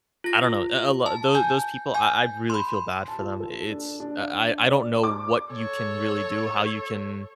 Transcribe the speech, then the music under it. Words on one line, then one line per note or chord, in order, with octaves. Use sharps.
I don't know, a a l tho those people I I really feel bad for them. I it's I I I don't know what you can really do, how you can,
F4 A#6
A5
G#5 G6
G#5 G6
B5 C6
A5
F4
A4
D4
D4
D5
D6
A4 C#5